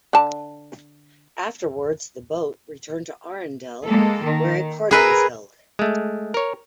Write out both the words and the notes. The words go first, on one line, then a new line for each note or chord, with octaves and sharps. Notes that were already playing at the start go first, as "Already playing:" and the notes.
Afterwards, the boat returned to Arendelle where a party was held.
D3 A5
G#3 A#3 A4
D#3
G#4 A#4 B4 E5
G#3 A3
A#4 C#5